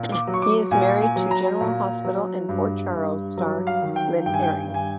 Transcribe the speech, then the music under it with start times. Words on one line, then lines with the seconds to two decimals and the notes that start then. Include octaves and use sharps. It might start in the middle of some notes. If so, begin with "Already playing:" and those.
He is married to "General Hospital" and "Port Charles" star Lynn Herring.
Already playing: A#2
0.12 D6
0.27 F#3
0.34 C#6
0.42 D6
0.71 A#2 G#5
1.02 G#5
1.16 F#3
1.31 A#5
1.61 A#2
2.04 F#3
2.49 G2
2.93 G2
3.37 F#3
3.67 F5
3.82 D#3
3.96 G5
4.26 G2 G5
4.34 G#5
4.43 G5
4.70 G2 G#5